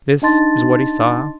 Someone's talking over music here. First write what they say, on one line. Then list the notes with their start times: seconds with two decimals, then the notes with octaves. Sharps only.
This is what he saw.
0.22 D4 D#4 D#5 A5 C6 A6